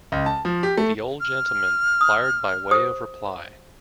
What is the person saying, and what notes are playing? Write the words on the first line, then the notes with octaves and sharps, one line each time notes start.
The old gentleman fired by way of reply.
C#2
A5
F3
G4
A3
F6
D#6
G4 C5 D#6